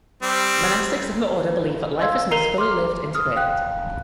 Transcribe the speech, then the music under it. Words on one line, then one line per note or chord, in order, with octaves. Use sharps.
Monastics in the Order believe that life is most fully lived integrated.
G3 C4
D#5 F5 C6 E6 G#6
A#4 A#5 C7 D#7 F7 G7
C6 D6 F6
D#6 F6
F5 G5 F#6